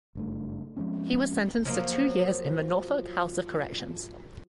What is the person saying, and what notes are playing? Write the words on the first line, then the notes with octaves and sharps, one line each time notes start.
He was sentenced to two years in the Norfolk House of Corrections.
F#1 G2 A3
F3 G#3 C4 C#4
F3 F#3 A#3